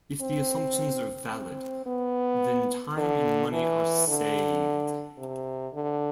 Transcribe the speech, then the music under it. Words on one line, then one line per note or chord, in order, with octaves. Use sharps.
If the assumptions are valid, then time and money are saved.
C4
C4
B3
D3
E3
D3
C3
D3